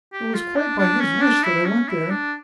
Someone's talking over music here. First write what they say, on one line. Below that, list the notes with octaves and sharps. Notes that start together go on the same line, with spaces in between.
It was quite by his wish that I went there.
G4
F4
D4
D4
C#4
D4
E4
C#4
E4
D4